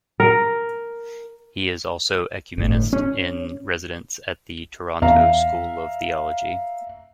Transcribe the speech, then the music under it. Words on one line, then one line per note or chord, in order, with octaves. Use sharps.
He is also Ecumenist in Residence at the Toronto School of Theology.
A#4
G1 A2
C#4
E2 E5 F5 A#5